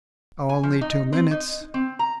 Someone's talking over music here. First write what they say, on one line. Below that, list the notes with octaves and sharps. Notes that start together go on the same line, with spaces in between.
"Only two minutes."
G#5
F3
D#4
C4
D#4
C4
A#5